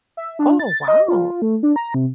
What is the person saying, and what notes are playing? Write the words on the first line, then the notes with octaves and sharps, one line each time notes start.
Oh, wow.
E5
D4
A6
D#5
F4
A3
D4
A#5
C3